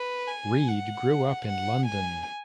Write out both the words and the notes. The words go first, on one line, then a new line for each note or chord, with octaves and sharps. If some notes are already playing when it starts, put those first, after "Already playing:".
Reid grew up in London.
Already playing: B4
G#5
F#5
F#5
G#5